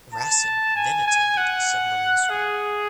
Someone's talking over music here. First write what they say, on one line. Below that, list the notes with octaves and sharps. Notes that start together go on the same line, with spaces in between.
Rasin then attended submarine school.
A5
G#5
G#5
F#5
G#4